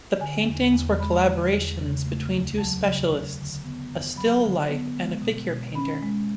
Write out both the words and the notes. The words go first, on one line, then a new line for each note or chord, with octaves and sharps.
The paintings were collaborations between two specialists: a still life and a figure painter.
D3 G#5
E2
E2
G#3 B5
D3
E2
C#3
A3
D2
F#3 A5
C#3
A3
D3
B3
F#2
F#3 B5
D3
B3
G#3
B2
B2
C#4 B5
G#3